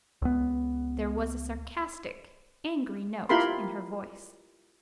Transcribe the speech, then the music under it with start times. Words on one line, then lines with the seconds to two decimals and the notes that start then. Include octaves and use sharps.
There was a sarcastic, angry note in her voice.
0.22 C#2 B3
3.29 E4 F4 G4 A#4 B5 C6